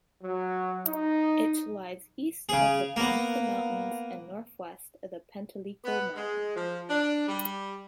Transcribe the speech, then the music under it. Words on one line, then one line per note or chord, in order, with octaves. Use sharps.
It lies east of the Parnitha mountains and northwest of the Penteliko Mountain.
F#3
D#4
C#3 G#4
A#3 B3
B3
G#3
F3
D4
G3